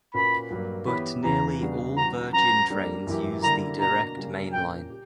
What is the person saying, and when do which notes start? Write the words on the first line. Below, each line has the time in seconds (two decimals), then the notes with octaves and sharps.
But nearly all Virgin trains use the direct main line.
0.14 A#2 A#3 C#4 F#4 B4 B5
0.51 G2 F#3 A#3
0.87 E3 B3 E4 G4 C#5 B5
1.24 E2 C#3 E3 A#5
1.60 C#3 G3 B3 D4 F#4
1.97 E3 G3 C#4 F#4 A#5
2.33 F#3 C#4 F#4 B4 A#5
2.70 G3 A#3 D4
3.07 F#2 E3 A#3 E4 G4
3.43 D3 G3 A#3 E4 A#5
3.80 B2 A#3 D4 F#4 A#5
4.16 C#3 G3 A#3
4.53 A#2 A#3 C#4 G5
4.90 G4